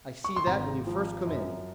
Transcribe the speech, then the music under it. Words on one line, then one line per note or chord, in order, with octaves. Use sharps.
I see that when you first come in.
C#6
C6
G#1 A#5
F3
F#2